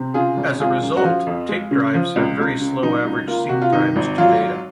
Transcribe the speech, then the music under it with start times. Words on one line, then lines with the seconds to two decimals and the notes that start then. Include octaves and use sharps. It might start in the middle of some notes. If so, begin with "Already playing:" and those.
As a result, tape drives have very slow average seek times to data.
Already playing: C3 C4
0.14 C#3 F4 G#4
0.37 G#1
0.60 G#3 F4 G#4
0.82 F#2
0.97 F#4
1.04 F3 F4
1.27 F2
1.49 G#3
1.71 C#3
1.94 F3
2.16 C#2
2.39 C#2
2.61 C#3
2.83 F#3 D#4
3.05 C#2
3.28 A#3 F4
3.49 C3 F#4
3.62 F4
3.73 D#3 D#4
3.96 G#1
4.18 F#3 F4